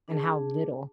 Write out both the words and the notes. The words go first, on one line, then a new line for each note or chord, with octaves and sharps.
And how little.
D4 G#4 A5